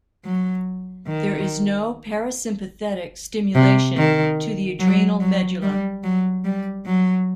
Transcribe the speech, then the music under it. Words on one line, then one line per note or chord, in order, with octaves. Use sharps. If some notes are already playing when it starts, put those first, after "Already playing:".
There is no parasympathetic stimulation to the adrenal medulla.
F#3
D#3
C3
D#3
F#3
F#3
G3
F#3
G3
F#3